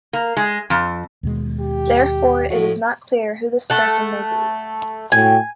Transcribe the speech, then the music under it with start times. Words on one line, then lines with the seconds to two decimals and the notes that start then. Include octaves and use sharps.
Therefore, it is not clear who this person may be.
0.13 A#3
0.37 G#3
0.70 F2
1.23 D#2 B2 G#3
1.60 G4
2.50 F2 A2 F#4
3.70 A3 A4 F#5
5.12 A2 F#4 G5 G#5